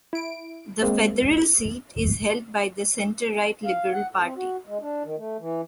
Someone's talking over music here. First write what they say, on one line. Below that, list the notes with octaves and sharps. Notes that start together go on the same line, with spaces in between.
The federal seat is held by the centre-right Liberal Party.
E4 D7
G#3 A#3 C4
F5
F#5
A2
C4
F#4
G#3
D4
D#3
A3
E3